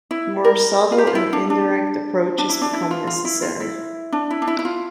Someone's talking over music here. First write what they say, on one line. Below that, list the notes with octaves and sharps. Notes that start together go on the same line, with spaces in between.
More subtle and indirect approaches become necessary.
E4
A#4
F4
G4
F4
E4
D4
D4
D4
E4
D4
E4
F4
F4
E4
F4
E4
D4
E4
D4
E4
E4
F4